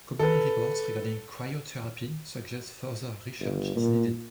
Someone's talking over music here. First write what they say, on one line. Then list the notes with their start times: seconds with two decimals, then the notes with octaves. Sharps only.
Commonly reports regarding cryotherapy suggest further research is needed.
0.19 A4 B4
3.41 G1
3.76 A#2